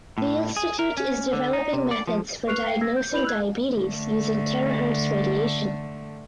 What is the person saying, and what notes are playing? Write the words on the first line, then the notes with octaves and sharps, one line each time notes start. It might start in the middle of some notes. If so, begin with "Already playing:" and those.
The institute is developing methods for diagnosing diabetes using terahertz radiation.
A2
G#4
A#4
C#4
D3
D#4
C3
D5
F3
B4 C#6 F6 F#6 C7 F7
F5 G5 C7
E6 G#6 A#6
G6
E4 B4 B5 G6 F7 F#7
E6 F#6 G#6
D3 A3